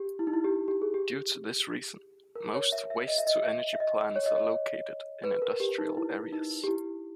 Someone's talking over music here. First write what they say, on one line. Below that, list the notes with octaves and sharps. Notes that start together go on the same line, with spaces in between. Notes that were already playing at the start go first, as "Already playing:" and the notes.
Due to this reason, most waste-to-energy plants are located in industrial areas.
Already playing: G4
E4
D#4
E4
G4
G4
G#4
G4
A#4
C#5
E5
E5
D#5
E5
D#5
E5
E5
D#5
C#5
D#5
C#5
B4
A#4
G4
D#4
E4
D#4
G4
E4